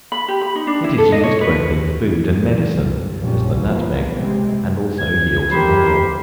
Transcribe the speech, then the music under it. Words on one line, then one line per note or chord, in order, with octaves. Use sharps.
It is used both in food and medicine, as the nutmeg, and also yields an oil.
B5
G4
B5
D#4
D4
E4
A4
D#5
C#5
B4
C2 G#2 C#3 E3 F#3
G2
A#1 F#2 A#2 F3 G3 C#4
A#1 F3 A#3 B3
C3 G3 G#3 B3 C4
A4 G#6
G4 A#4 C5 B5